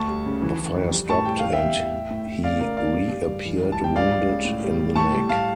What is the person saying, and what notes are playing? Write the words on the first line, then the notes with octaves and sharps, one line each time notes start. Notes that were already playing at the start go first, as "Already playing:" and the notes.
The fire stopped, and he reappeared, wounded in the neck.
Already playing: D2 A5 C#6
G3
C#3
E3
E3
F2
G3
A2 A5 C#6
G3 G5
E2 F5
E5 G5
E2
E2
A2
A2
A2
C#3 D5 F5
C#3 A#4 D5
C#3 D5 F5
G2
G3
G2
E3
C#2
A5
G3
G5
C#2 D5 F5
C#2
C#3
A2
G3
G3
A2 A5 C#6
G3
A2 F5 A5